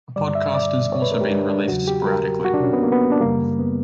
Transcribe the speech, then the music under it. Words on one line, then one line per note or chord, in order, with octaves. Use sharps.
A podcast has also been released sporadically.
G2 D3 G3 D5
E5
D5
C#5
B4
A#4
G4
D4
D4
E2 C#3 F#3 F#4
G4
A#4
F#4
D4
C#4
B3
A#3
B3
D4
F#2 C#3 G3 A#3
B3